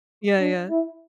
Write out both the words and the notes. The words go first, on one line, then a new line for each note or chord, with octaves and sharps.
Yeah, yeah,
D4
E4